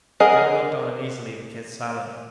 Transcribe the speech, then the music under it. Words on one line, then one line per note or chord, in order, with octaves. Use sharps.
Joe looked on uneasily, but kept silent.
G#4 A#4 D#5 F#5